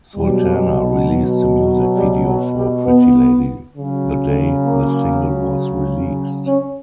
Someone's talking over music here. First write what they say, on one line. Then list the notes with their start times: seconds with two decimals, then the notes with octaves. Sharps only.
Sultana released the music video for "Pretty Lady" the day the single was released.
0.15 B2 F#3 G3
1.96 G3
2.25 F#3
2.55 G3
2.85 B3
3.76 C#3 F#3
4.65 A#3
6.47 C#4